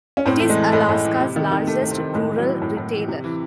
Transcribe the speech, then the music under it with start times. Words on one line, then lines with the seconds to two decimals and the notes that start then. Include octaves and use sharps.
It is Alaska's largest rural retailer.
0.17 C#4
0.26 A2 C4
0.39 E3 A3
0.50 G#3
0.58 E3
0.73 A2 G#3
0.89 A2
1.05 E3
1.20 C3
1.36 D#3
1.52 D#3
1.67 C3 A3
1.83 C3
1.91 C4
1.98 D#3
2.14 A2 G#3
2.31 E3
2.38 F#3
2.45 E3
2.62 A2
2.77 A2
2.93 E3
3.08 C3
3.24 E3